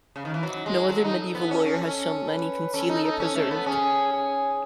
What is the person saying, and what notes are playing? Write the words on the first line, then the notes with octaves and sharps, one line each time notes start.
No other medieval lawyer has so many consilia preserved.
C#3
D#3
E3
F#3 D#4
G#3
F#3 A4
D#4
B3
C#4
C#4
C#4
B4
C#4 A4
D#4
D#4
C#4
A3
B3
C#4 G#4
G#4